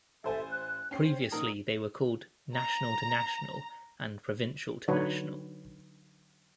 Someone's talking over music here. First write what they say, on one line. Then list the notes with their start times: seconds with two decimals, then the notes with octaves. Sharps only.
Previously they were called 'National to National' and 'Provincial to National'.
0.24 A1 A4 C5 E5 G#5
0.49 F#6
0.91 C#4 C5 G5 C7
1.32 A#1 D#4 A#4 D#6
2.56 A#5
4.88 D3 F#3 D#4 B4 C#5